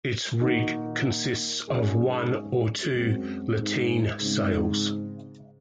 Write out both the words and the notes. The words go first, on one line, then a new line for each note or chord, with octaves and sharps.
Its rig consists of one or two lateen sails.
A#2 D#3 A#3 D#4 F#4 A#4
G#2 F#3 C#4 G#4
F#2 G#3 C4 F#4
G#2
G#2 C#3 G#3 C4